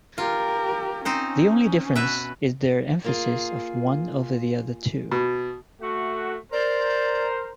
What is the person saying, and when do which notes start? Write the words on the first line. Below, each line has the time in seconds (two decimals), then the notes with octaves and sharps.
The only difference is their emphasis of one over the other two.
0.18 F4 G4 A#4
1.05 C4 C#4 D#4 C5
1.95 B2 B4 E5
3.04 A#3 F4 G#4
5.12 B2
5.82 A3 F#4
6.52 A#4 C5 D5